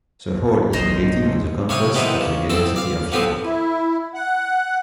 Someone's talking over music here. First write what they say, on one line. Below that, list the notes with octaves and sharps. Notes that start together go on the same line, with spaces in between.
The hall is located on the campus of the University of York.
A#1 F#3 D#4 C5
C#3 A3
C3 C#5 F5 C#6 D#6
G#2 C3 D#3 E3 B3 D#4
C#3
E2 C4 A4 G5
D5 F5
D3 F3 B3 C4 B4
E4
F#5